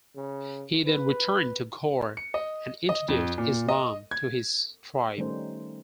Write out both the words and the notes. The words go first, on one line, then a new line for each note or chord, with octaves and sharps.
He then returned to Ghor and introduced Islam to his tribe.
C#3
B4
C#7
D#5
D#5
F2
A#2
D#5
G#6
D#3 G3 A3 C#4 D#4 C5